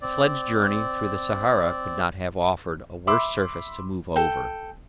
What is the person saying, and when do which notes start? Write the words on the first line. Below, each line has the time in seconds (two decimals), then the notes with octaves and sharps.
A sledge journey through the Sahara could not have offered a worse surface to move over.
0.01 C4 D5
3.07 E5 B5 C6 D6 E6
4.16 A4 G5